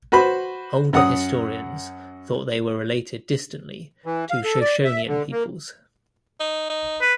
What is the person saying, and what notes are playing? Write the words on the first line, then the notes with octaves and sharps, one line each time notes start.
Older historians thought they were related distantly to Shoshonean peoples.
F#4 B4 C5 B5
F#2 F#5 D#6
E3
F5
A4
D5
E5
D3
A#3
D#4
D#4
B4